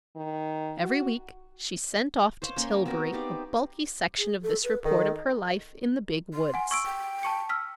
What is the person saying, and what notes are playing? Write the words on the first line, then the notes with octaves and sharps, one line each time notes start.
Every week she sent off to Tillbury a bulky section of this report of her life in the Big woods.
D#3
F#4
C5 C#5 F5 C6
A#3 C#4
B3 C4 F#4 A#4
D#4 G4 D5 F5
G#4
A4
B4
D#3 A4
C6
F#5 G#5
C#6 E6 D7
G5
A5 C#6 C#7
E6 F6 B6